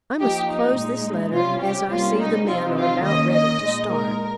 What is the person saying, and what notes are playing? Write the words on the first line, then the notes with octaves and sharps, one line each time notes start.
I must close this letter, as I see the men are about ready to start.
F3 A#3 D#4 G4
D#4
A#2 G#3 D#4
C3 G3 C#4 F4
G4
C3 G3 A#3 C#4 F4
D#4
C3 F3 C4 D#4 F4
F4
D#3 A#3 C#4 D#5
D#5
A#2 G#3 D#4
A#4